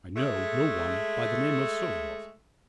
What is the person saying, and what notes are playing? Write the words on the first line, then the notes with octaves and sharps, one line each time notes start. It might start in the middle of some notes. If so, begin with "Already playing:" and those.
I know no one by the name of Souvaroff.
G#3 A3